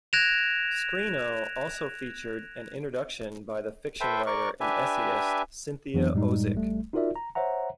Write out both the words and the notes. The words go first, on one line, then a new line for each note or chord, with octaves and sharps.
"Screeno" also featured an introduction by the fiction writer and essayist, Cynthia Ozick.
F#6 G#6 A#6 D7 E7 F7
A4 B4 C5 E5 G5
A#4 D5 C#6
D4 G4 B4 E5 G#5
F2 E3 F#3 B3 D4
F#2 A2 G3 G#3 D#4
A1 G3 A3
D#4 F4 F#4 A#4 D5 E5
A#5
C5 C#5 E5 F#5 A#5